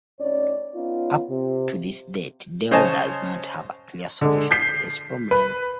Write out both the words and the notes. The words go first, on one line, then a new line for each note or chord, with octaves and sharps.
Up to this date Dell does not have a clear solution to this problem.
D2 C#4 D#4 C#5 D5
B3 C#4 D#4 F4
C3
C#3 C5 C#5 D#5 G#5 A5
D3 G#3
G6 B6 C7
B4